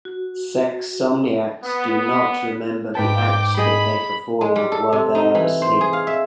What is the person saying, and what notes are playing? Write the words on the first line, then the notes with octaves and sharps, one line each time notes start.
Sexsomniacs do not remember the acts that they perform while they are asleep.
F#4
B3
G#2 B4 G5 A5 D6
G#4 D#5 B5
G#3
G3
A4
C3
D#4
E3
C5
G#4
F5
E5